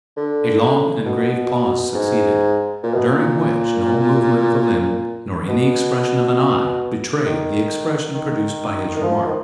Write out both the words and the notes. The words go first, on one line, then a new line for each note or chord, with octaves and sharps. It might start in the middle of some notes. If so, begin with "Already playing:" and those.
A long and grave pause succeeded, during which no movement of a limb, nor any expression of an eye, betrayed the expression produced by his remark.
D3
B2
G#2
A#2
B2
A#2
B2
D#3
D#3
D#3
F3
D#3